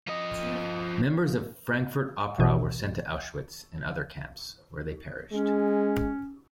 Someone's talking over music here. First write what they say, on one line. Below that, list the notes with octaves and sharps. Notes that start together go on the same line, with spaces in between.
Members of Frankfurt Opera were sent to Auschwitz and other camps where they perished.
F3 D#5
A1 B2
G#3 C#4